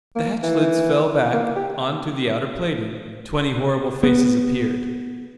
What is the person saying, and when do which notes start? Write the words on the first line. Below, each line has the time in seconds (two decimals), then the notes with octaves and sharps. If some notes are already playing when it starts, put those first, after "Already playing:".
The hatch lids fell back onto the outer plating. Twenty horrible faces appeared.
0.16 A#3
0.43 E3
1.34 A#3
1.56 G4
4.03 B3